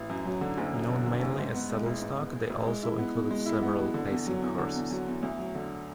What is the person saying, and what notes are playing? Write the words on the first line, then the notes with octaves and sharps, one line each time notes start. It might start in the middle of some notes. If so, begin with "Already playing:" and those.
Known mainly as saddle stock, they also included several pacing horses.
Already playing: A1
F#2
F#3
D3
F#1
F#2
F#3
D3
F#1
G#2
B3
G#3
A1
G#2
B3
G#3
A1
G#3
E4
B3
B2
G#3
E4
B3
B2
D3
E2
F#3
E2
D3
E2
F#3
E2
D2
F#3
D3